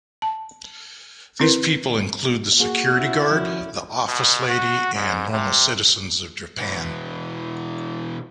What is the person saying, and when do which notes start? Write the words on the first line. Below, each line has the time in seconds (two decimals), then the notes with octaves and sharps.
These people include the security guard, the office lady, and normal citizens of Japan.
0.22 A5
1.40 C4 E4 A#4 B4
2.60 A#3 F#4 G#4
2.93 C#4 E4 E6
3.31 F3 F#4
4.08 B2
4.49 F#4
4.95 G#2
5.32 C3
6.57 B2 E3